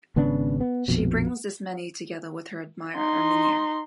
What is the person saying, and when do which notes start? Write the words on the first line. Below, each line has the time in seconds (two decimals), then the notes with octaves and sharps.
She brings Ismene together with her admirer Erminio.
0.16 G#1 C#3 B3 D4
0.61 B3
0.88 A#1 F2 B2
2.96 D#4 C6